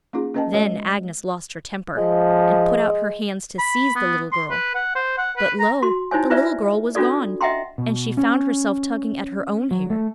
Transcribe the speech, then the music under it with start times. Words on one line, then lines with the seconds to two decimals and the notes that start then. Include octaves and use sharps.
Then Agnes lost her temper, and put out her hands to seize the little girl; but lo! the little girl was gone, and she found herself tugging at her own hair.
0.13 A#3 C#4 D#4 F4 G#4
0.34 A#3 C#4 B4 D#5 G5 A5
0.54 G#3 F#4 B4 C#5 D#5
1.97 F3 G#3
3.58 B5
3.96 B3
4.32 C6
4.50 B4
4.75 F#5
4.95 C5
5.18 F#5
5.37 B4
5.59 A#5
5.82 F#4 C6
6.11 D#4 E4 C5 C#5 G#5
6.30 E4 F4 B4 C5 D5 E5
6.95 C#4 D4 F4 F#4 A4 D5
7.41 D#5 E5 F#5 G5 A#5 C6
7.78 B2
8.17 C#4
9.71 F#3
9.90 A3